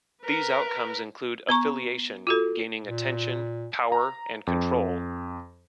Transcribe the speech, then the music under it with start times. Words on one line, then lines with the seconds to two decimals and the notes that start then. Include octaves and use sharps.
These outcomes include affiliation, gaining attention, power and control.
0.22 A#4 B4
1.49 B3 A#5 C#6
2.27 F4 F#4 A4
2.86 A#2
3.92 A#5
4.47 F2